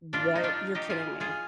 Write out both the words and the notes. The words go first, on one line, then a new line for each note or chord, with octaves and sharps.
What? You're kidding me.
D4 F4
D#4
D4 F4
D#4 G4
F4 G#4
F4 G#4